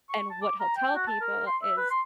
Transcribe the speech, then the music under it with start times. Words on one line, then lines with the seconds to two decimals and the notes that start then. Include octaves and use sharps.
and what he'll tell people is,
0.10 C#6
0.30 A5
0.42 D6
0.60 A#5
0.77 G5
0.95 F#4
1.07 A5
1.21 A#4
1.47 C6
1.62 E5
1.77 B4
1.91 C6